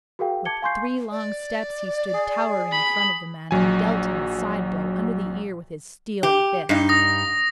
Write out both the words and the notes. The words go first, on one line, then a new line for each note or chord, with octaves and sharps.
With three long steps he stood towering in front of the man and dealt him a side blow under the ear with his steel fist.
F#4 G#4 A#4 F5 G5
A5 D6 G#6 C#7 G7
F5 G#5 C6 C#6 G6 C7
D5
G#4
B5
A#1 F#3 G#5
G4
G2 D#4
D#6 A#6